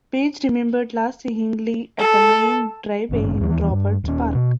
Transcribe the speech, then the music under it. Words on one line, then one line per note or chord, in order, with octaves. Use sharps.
Page remembered last seeing Lee at the main driveway in Roberts Park.
A4
G#1 G2 C#4
D#2 E3
G2
D#1 C#4
B2